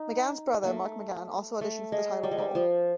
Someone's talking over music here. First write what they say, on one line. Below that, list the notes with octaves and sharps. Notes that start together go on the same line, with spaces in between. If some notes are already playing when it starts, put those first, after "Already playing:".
McGann's brother, Mark McGann, also auditioned for the title role.
Already playing: D#4
A3 A#3
A3
G#3
G3
G#3
G3
F3